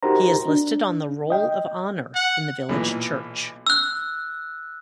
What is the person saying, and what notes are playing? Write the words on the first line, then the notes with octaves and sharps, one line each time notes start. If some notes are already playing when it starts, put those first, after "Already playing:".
He is listed on the Roll of Honour in the village church.
D#4 F#4 G4 A#4 C5 A#5
D4
D#5 G5
F#5
B1 A#2 E3
E6 F#6